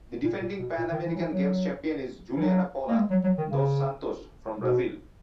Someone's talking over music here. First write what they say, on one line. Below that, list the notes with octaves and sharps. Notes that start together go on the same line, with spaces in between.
The defending Pan American Games champion is Juliana Paula dos Santos from Brazil.
A#2
A#2
B2
A#2
D#3
E3
F#3
E3
F#3
E3
F#3
A#3
G#3
F#3
F#3
D#3
C#3
B2